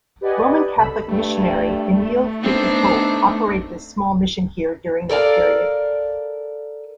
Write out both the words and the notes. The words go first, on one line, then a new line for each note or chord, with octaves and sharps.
Roman Catholic missionary Emile Petitot operated a small mission here during that period.
G4 B4 D5 D#5 F#5 G#5
C2 A4 B5 E6
G2 A3
B3 C4 D4 D#4
A4 A#4 D5 F5